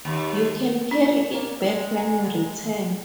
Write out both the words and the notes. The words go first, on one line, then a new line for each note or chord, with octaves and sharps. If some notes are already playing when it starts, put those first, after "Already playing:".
You can carry it back when you return.
D#2
C#4
A#3 C#5 D5
G#3
F#5 G#5 A#5